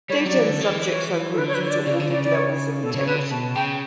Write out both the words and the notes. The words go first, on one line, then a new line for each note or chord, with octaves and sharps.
Data and subjects are grouped into ordered levels of integrity.
G3 C#5
F#3 D5
E3
D3
E3
C#5
A4
D3 B4
C#5
B4
C#5
D5
C#3 D5
D3
C#3 D5
D5
C#5
B2 A4
C#3 C#5
D3 B4
C#3
B2 A5
C#3 G5